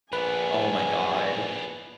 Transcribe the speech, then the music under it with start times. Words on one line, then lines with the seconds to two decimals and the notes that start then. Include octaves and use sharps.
Oh my god.
0.13 A#1 B3 D4 B4 G#5